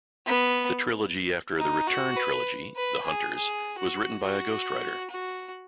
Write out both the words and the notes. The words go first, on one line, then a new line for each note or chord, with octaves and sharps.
The trilogy after "The Return" trilogy, "The Hunters", was written by a ghostwriter.
B3
D#4
F#4
B4
B4
G#4
G#4
F#4
F#4
F#4